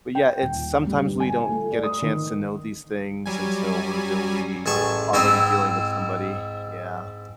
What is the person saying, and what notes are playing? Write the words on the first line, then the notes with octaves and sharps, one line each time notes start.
but, yeah, it's sometimes we don't get a chance to know these things until we're really, already dealing with somebody, yeah.
G5
D#1
G3
G1
G#5
A3
D5
D#6
D#3
F#3 G3 G#5
A1 G#4 A5 C#6
G#2 C4 D#4 E4 C5 D#5